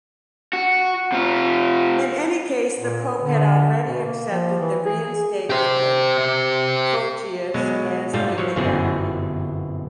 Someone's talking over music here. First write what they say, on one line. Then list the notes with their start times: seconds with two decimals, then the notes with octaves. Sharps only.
In any case, the Pope had already accepted the reinstatement of Photius as Patriarch.
0.53 F#4
1.12 C3 F4
2.78 A#2
3.19 D3
3.86 B2
4.05 A#3
4.30 F3
4.60 E3
4.85 G#4
5.50 G4 C5
7.54 B2 F#3 G#3
8.13 G#2 G3 A3 F4
8.38 F3 F#3 C#5
8.56 G1 F#2 B2 E3 C4 G#4